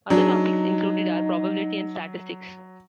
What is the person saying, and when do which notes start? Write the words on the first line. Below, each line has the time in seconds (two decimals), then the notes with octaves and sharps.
Other topics included are probability and statistics.
0.10 F#3 D4 D#4 G#4